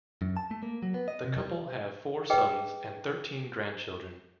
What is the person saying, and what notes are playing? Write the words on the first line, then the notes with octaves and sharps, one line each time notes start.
The couple have four sons and thirteen grandchildren.
F#2
A5
A3
A#3
F#3
B3
D#5
C3
G3
G#4 B4 D#5 G5